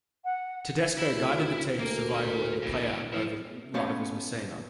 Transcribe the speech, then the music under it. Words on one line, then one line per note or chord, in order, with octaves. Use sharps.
Tedesco guided the team to survival in the playout over rivals Messina.
F#5
E4
D2
D2 A#3
A#4 C6
A#2 E3
E3 F3
A3 B3 C#4 C5 C#5 F5